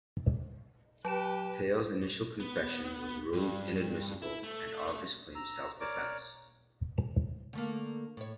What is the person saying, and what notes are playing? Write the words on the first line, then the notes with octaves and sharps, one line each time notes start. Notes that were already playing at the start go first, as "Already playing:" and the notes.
Paille's initial confession was ruled inadmissible and August claimed self-defense.
F#3 G4 B4 A5 E7
B3
G2
E4
A3
A#5 E6
A#4 C#5 D5 D6
D3 A3 A#3
A2 C#5